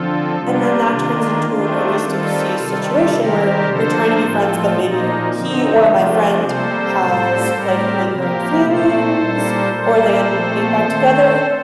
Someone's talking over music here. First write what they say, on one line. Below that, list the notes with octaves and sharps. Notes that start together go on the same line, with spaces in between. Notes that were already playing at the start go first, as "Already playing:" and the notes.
and then that turns into a really sticky situation, where you're trying to be friends, but maybe he or my friend has, like, lingering feelings or they end up getting back together.
Already playing: D3 F3 C4 F4 A4
C3 G3 A#3 D4 F4
D#3 A#3
D#3 A3 C4 D4 F4
D#3 G3 C4 F4 A4
C3 D#3 G3
C3 D#3 G3 C4 G4 A#4
D3 F3 A#3 A4 C5
A2 F3 C4 F4 A4
A#2 F3 A#3 D#4
D3 F3 C4 D#4
C3 F3 A3 D4 F4
C3 G3 A#3 A4 C5
A2 G3 C4
A2 G3 C4 G4 A#4
C3 F3 A#3 G4 A#4
A#2 A3 C4 A4 C5
A#2 G3 A#3
A#2 G3 A#3 A4 C5
A#2 F3 A3 C4
D#3 A3 C4